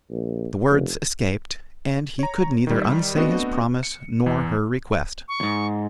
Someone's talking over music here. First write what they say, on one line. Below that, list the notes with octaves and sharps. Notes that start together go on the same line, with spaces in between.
The words escaped, and he could neither unsay his promise nor her request.
A#1
F1
C#5 A#5
D#3 G3
A3 B3 C4 D4 F#4 D#5
C#7
E2 E3
C#6
E2 G#2